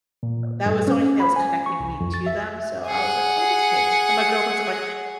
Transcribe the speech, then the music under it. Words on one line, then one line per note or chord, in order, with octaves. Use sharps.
That was the only thing that was connecting me to them, so I was like, "Oh, that's okay." and my girlfriend's are going,
A#2
G2
C#4
B5
G#5
C#6
C2
F2
A6
E5
G#4 F#5